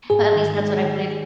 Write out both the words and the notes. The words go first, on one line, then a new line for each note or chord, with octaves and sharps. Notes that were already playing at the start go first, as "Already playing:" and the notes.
At least, that's what I believe.
G#2 G#4
D#3
G#3
D#3